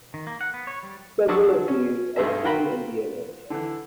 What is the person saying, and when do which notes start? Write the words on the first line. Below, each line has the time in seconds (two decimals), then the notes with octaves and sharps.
Several of these are seen in the image.
0.14 D#3
0.27 A#3
0.41 F#5
0.54 B3
0.67 C#5
0.83 G3
1.28 F3 F#3 D4 C#6 D#6 E6
1.68 C#4
2.16 B1 G2 G#3 A3 G#4 E5
2.44 F4 F#4 F#5 G5 A#5 B5
3.50 D3 E3